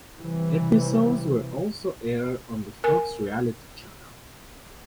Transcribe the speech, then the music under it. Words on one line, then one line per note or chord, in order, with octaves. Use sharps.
Episodes were also aired on the Fox Reality Channel.
C3 E3 G3
A#4 G#5